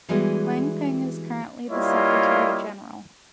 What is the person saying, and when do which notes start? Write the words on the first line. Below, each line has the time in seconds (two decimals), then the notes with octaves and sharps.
Wang Ping is currently the Secretary-general.
0.09 E3 G3 G#3 B3 F#4 G#4
1.70 G3 A#3 E4 F4 C#5 D#5